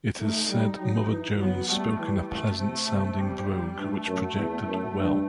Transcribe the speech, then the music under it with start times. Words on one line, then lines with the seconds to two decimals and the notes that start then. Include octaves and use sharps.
It is said Mother Jones spoke in a pleasant-sounding brogue which projected well.
0.20 A3 D#4
0.50 G3
0.80 F#3
1.10 E3
1.39 F#3 B3
1.69 G3 A3
1.99 E3 G3
2.28 A3
2.58 C3 A3
2.88 C3
3.17 C3 G3
3.77 G2 A3
4.07 F#2
4.37 E2
4.67 F#2
4.96 G2